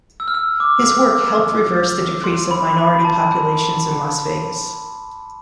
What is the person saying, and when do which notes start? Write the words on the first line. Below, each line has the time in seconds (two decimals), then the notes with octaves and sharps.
His work helped reverse the decrease of minority populations in Las Vegas.
0.20 E6
0.28 F6
0.34 E6
0.60 D6
2.24 C6
2.51 B5
2.78 B5
3.05 A5